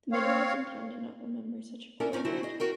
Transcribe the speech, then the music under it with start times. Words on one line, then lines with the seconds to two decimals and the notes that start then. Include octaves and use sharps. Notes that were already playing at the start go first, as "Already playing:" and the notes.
The midwives in town did not remember such a cruel winter.
0.12 C4 C#5 F5
2.00 C#4 D4 E4 F4 A4 A#4
2.12 G#2 F3 C#4 D#4 G#5
2.25 D3 F#3 C4 E4 F#4 C5
2.43 G#4 D#5
2.60 F#4 A#4 G5